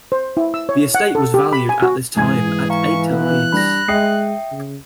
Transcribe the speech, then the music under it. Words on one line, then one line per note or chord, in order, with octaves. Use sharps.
The estate was valued at this time at eight hides.
C5
E4
E6
C#5
F#5
A4
G4
B5
G#5
F#4
G#2 E3 G#4 G#5 G#6
F5 A#5 C#6
B2 B3 F#6
G3 D4 B5 A#6
G#3 E5 G5 D#6 C7
C#3